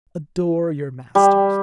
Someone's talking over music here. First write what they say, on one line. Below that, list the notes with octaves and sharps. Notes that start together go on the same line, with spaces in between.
Adore your masters.
G3